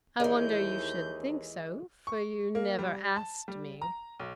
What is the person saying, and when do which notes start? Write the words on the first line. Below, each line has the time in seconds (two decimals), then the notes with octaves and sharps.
"I wonder you should think so, for you never asked me."
0.20 D#2 E3 G#3 G#4 D5 D#5 G6
2.07 C#6
2.55 A#3
2.79 G3
3.16 A5
3.48 G3
3.82 A#5
4.19 B1